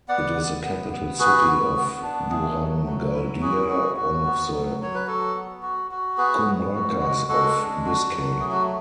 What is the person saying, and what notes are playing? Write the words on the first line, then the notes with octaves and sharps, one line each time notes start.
It is the capital city of Durangaldea, one of the "comarcas" of Biscay.
B3 D5 F#5
B3
B3
B3
F#4 G#4 B4
B3
B3
D4
A3 G#4
F#3
F#3
E4
F#4 G#4
F#4
F#4
B3
F#3
F#3 C#5
B4
F#3 F#4 A4
B3
F#4
F#4
B3 G#4 B4
B3
F#4
G#3
G#3 F#4 A4
D4
F#4
F#3
A3 G#4
F#4